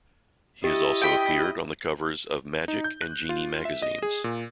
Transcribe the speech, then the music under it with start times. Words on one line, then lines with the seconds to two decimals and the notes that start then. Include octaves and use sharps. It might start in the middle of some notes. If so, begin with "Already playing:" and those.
He has also appeared on the covers of "Magic" and "Genii" magazines.
0.64 E4 G4 D#5
1.02 G5 B5
2.68 D#4
2.84 G6
3.02 F#6
3.29 F4
3.65 E5
3.82 D#5
4.02 G#4
4.24 A#2